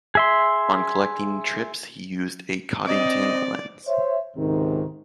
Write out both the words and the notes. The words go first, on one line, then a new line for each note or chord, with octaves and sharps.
On collecting trips he used a Coddington lens.
G#4 E5 C6
C4 D5 D#5
C5 C#5 E5
C#2 G#2 C3 D#3